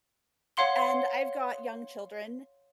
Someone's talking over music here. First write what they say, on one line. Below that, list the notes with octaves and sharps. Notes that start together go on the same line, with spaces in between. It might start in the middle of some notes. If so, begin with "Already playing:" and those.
And I've got young children,
C#5 F5 F#5 C6 G7